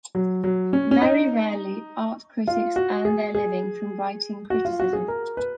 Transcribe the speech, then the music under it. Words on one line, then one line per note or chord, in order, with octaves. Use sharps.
Very rarely art critics earn their living from writing criticism.
F#3
F#3
C#4
C#4
D#4
F4
F#4
G#4
G#4
F#4
F4
F#4
G#4
A#4
B4